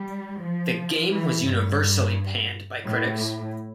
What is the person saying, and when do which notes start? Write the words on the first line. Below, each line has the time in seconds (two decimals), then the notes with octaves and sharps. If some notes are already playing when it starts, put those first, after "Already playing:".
The game was universally panned by critics.
Already playing: G3
0.43 F3
1.11 E3
1.46 G2
2.84 A2